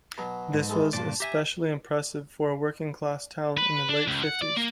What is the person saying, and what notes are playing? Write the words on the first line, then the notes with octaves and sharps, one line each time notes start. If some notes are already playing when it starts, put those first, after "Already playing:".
This was especially impressive for a working class town in the late fifties.
B2 F#3
G#2
E3 G#3 A4
G2 A#2 C5 D5 A5
G4 E5 G#5 A#5
B4
D4
C#2
F#5
D5
A#3